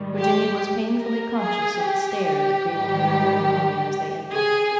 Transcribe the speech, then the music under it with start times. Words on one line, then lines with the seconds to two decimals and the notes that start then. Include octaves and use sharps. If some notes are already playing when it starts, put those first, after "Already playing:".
Virginia was painfully conscious of the stare that greeted her and her companion as they entered.
Already playing: G#2 D#3 G3
0.16 G4
0.99 A#4
1.40 G#4
1.81 G4
2.66 G#2 D#3 G3
4.31 G#4